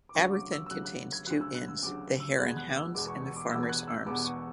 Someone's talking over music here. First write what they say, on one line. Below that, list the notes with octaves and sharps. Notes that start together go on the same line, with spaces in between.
Aberthin contains two inns; The Hare and Hounds and The Farmers Arms.
D6
D2 C#3 F#3 C#6
D6
E6
E6
D2 C#3 F#3 F#6
F#6
G#6
D2 C#3 F#3 F#6
E6
F#6
E6
D2 C#3 F#3 D6
E6
E1 E2 B2 G#3 B3 F#6
G#6
F#6
E6
E1 E2 B2 G#3 B3 D6
C#6
C#6
D6
E1 E2 B2 G#3 B3 E6
G#6
F#6
E6
E1 E2 B2 G#3 B3 D6
C#6